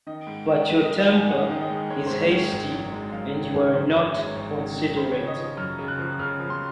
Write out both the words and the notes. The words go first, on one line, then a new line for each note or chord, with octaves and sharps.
But your temper is hasty and you are not considerate.
D#3 D#5
G#2
D#3
G#3
D#5
D#3
F5
G#2
G#5
G#3 F#5
D#3
D#5
G#3
G#3 C#5
G#2 C5
C#5
D#3
C#5
G#1
F#2
G#3
F#2 F5
D#3
C#5
G#1
F#2 C5
G#1 C#5
C#5
G#3 C#5
G#1 C#5
D#3
D#3
C#3 C5
C#5
F3
D#5
F3
F#2 F6
C#3
F#6
F3
C#3 F6
F3
C6